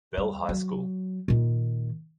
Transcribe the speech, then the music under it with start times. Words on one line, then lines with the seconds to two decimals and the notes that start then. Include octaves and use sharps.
Bell High School.
0.17 G3
0.49 F#3
1.28 A#2 D#3